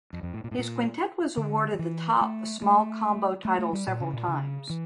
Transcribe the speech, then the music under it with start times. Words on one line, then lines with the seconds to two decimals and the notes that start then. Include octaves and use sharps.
His quintet was awarded the top small combo title several times.
0.13 F2
0.23 F2
0.34 A2
0.44 A#2
0.51 A2
0.59 A#2
1.37 D3
1.74 F3
1.79 E3
2.21 A3
2.62 A3
3.45 A3
3.59 A3
3.73 G3
3.87 A#2
4.00 C#3
4.13 A#2
4.28 C#3
4.70 E3